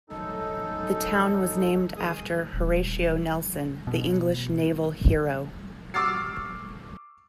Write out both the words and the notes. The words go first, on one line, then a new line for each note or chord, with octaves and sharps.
The town was named after Horatio Nelson, the English naval hero.
F#2 D#4 A4
D#3 G#4 D#6
D#1
B2
C#6 D6 E6 F6 A6 C7